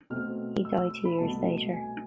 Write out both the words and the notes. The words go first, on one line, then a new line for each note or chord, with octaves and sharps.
He died two years later.
B2 A3 C4 F6
E6
E6
B5
C2 B2 A3 A5
G#5